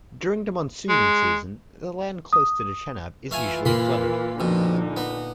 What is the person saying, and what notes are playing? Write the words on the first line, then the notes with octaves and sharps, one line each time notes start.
During the monsoon season, the land close to the Chenab is usually flooded.
G#3
D#6
E3 A3 F4 F5 G#5
A#2 A#3 B5 C6
F2 B2 D3 D#4
B3